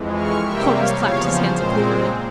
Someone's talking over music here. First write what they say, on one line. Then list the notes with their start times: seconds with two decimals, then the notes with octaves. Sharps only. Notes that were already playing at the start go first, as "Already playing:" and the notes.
Holmes clapped his hands approvingly.
Already playing: F2 E3 G#3
0.15 C#6 F6
0.43 C3 G3 A#3 E5 G5
0.71 C#5 F5
0.99 E2 C#3 F3 C#5 F5
1.27 C5
1.56 A#2 G#3 C4 C5